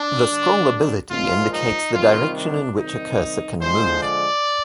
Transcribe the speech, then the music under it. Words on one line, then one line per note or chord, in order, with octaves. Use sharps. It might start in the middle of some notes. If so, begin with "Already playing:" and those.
The scrollability indicates the direction in which a cursor can move.
Already playing: D4
D3 G3
A#2 F3 G#3 F4
D#4
C3 D#3 G3 F4
D4
C3 D#3 G3 D#4
D3 F3 G#3 C5
D5